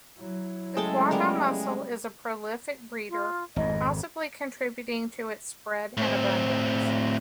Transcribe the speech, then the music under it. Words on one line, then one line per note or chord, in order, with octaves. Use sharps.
The quagga mussel is a prolific breeder, possibly contributing to its spread and abundance.
F#3 E4
C#3 G#3 A3 C#4 A4 G5 A5
G3 B3 A#4
F4
G#1 F2 D#5
A2 C4